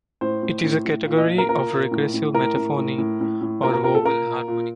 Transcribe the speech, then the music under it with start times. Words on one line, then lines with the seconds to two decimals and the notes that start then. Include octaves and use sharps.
It is a category of regressive metaphony, or vowel harmony.
0.21 A2 C5
0.43 A2
0.64 A2
0.85 A2
1.06 A#2
1.18 D#5
1.28 A#2
1.38 A#4
1.49 A#2 A#4
1.70 A#2
1.91 A2
2.14 A2
2.34 A2 A#4
2.56 A2
2.77 A2
2.98 A2
3.21 A2
3.41 A2
3.62 A#2 A#4
3.73 A#4
3.84 A#2 A#4
3.95 A4
4.05 A#2 A#4
4.27 A#2
4.48 A#2